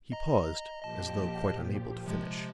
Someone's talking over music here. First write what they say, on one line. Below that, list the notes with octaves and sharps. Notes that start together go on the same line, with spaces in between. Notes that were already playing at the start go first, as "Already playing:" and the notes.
He paused as though quite unable to finish.
D#5 A#5
A#2 F3 G4 D#5 A5
C3 F3 G#3